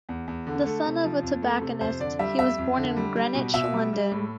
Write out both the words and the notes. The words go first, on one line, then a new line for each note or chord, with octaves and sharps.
The son of a tobacconist, he was born in Greenwich, London.
E2
E2
D3
A3
C3
F3
F2
A3
C3
F2 C5
D3 D5
G3 E5
F2 E5
F2
D3
G3
G3
B2
B2 E5
G3
G3
A2